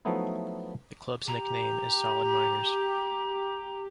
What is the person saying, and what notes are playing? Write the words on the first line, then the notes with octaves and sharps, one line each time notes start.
The club's nickname is "Solid Miners".
F3 F#3 A3 B3 D#4 E4
G4 A#5